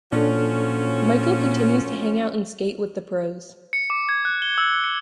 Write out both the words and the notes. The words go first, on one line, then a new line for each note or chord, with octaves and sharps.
Michael continues to hangout and skate with the pros.
A#2 F3 F#3 C#4 D4 A4
C#7
D6
G#6
F#6
G7
E6
C#7